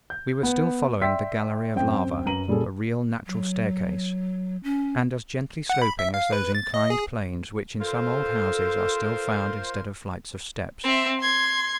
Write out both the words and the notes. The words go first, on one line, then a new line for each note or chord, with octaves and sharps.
We were still following the gallery of lava, a real natural staircase, and as gently sloping as those inclined planes which in some old houses are still found instead of flights of steps.
G6
B3
D5 E5 G5 C6 E6 B6
F#2 C4 G5
F#2 B4 A#5 D#7 F#7
A#2 G3 C#4 G#4 A4
F#3
C#4
F#5
B5
E5
F5
B4
A6
D#5
G#4
F4 A4 A#4 C5
C4 E5
C6 G#6